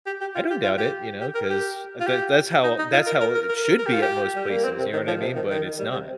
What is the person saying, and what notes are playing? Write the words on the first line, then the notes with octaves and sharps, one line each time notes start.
I don't doubt it, you know, 'cause, uh, that that's how that's how it should be at most places. You know what I mean? But it's not.
G4
G4
F4
G4
F4
G4
G4
A#4
G4
F4
G4
D#4
D#4
F4
A#4
A#4
A#4
A#4
A#4
A#4
G4
F4
G4
G3
A#3
C4
C3
D#3
F3
C3
D#3
D#3
G3
C3